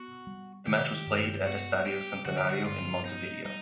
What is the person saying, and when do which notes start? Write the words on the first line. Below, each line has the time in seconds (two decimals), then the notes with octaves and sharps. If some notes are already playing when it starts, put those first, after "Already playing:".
The match was played at Estadio Centenario in Montevideo.
Already playing: B3 F#4
0.27 G3
0.67 D#3 G4
1.07 G2
1.47 B3 F#4
1.86 G3 G4
2.25 D3 F#4
2.38 G4
2.50 F#4
2.65 G2 F4
3.05 B3 D#4
3.45 G3 D#4